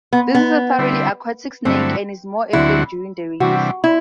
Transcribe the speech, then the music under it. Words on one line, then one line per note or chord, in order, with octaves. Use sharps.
This is a thoroughly aquatic snake, and is more evident during the rains.
B3
B3
D3 G3 C4 E4
G2 D3 F#3 A3 C4 E4
D2 D3 F#3 C4 E4 F#4
C3 E3 G3 D4 F#4
E4